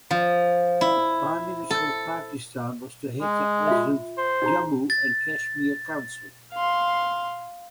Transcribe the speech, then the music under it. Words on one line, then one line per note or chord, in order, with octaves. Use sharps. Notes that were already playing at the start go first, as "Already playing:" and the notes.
The Prime Minister of Pakistan was to head the Azad Jammu and Kashmir Council.
F3
E4
A4
G#3
F4 E5
C5
D#4 G#4 A#5
A6
F5 C6